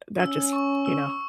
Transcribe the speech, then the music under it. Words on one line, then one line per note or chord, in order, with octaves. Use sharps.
that just, you know,
C#4 E6
C#6
E6